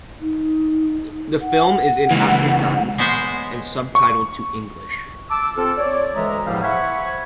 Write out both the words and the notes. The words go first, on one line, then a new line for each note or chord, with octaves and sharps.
The film is in Afrikaans and subtitled to English.
D#4
F#5
C#2 E3
G#3 B3 C5 C#5
C#6
A5 D6 E6
C4 F4 A4
C#5 D5
D2 E3 G#3 D#5 E5 A#5
E2 A2 F3 G3 F5
C5 E5 F#5 G#5 B5 C#6